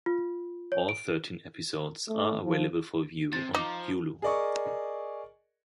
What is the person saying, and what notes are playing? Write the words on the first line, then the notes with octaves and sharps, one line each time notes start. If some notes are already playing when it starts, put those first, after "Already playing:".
All thirteen episodes are available for view on Hulu.
F4
C#5
D7
A3
F3
C3 A6
F3 D#4 A#5 D6
G#4 A#4 D5 D#5 C#6